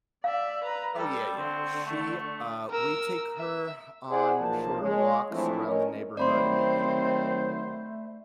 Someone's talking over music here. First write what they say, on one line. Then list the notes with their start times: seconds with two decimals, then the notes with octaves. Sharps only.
Oh, yeah, yeah. She, uh we take her on shorter walks around the neighborhood, in the evening, typically.
0.24 D5 E5 F5
0.64 B4 A#5
0.96 G3 A4
1.37 D3 C4 C#6
1.84 A3
2.70 A#4 E6
3.37 E5
4.10 E4 G#4 C5 D5 F#5
4.40 B1 F3 A#3 A5
4.82 G#3 C#5
5.32 E3 F3 A3 C4 D4 E4
5.66 A3 C#4 A#4 C#5 D#5
6.17 D#3 F#3 A3 C4 C5 D5 B5 C6